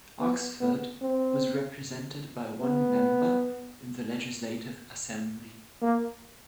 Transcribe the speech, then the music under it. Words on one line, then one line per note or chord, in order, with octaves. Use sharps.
Oxford was represented by one member in the Legislative Assembly.
B3
B3
C4
B3
A#3